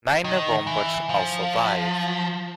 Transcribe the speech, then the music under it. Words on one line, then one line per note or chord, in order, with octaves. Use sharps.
Nine bombers also died.
D#3
E3
F3